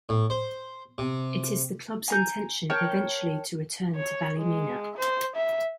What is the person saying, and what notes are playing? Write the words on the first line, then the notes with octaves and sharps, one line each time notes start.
It is the club's intention eventually to return to Ballymena.
A2
C5
C3
G#5 A#5 G6
A#4 C#5 G5 A5
C#5
G#3
C5
E5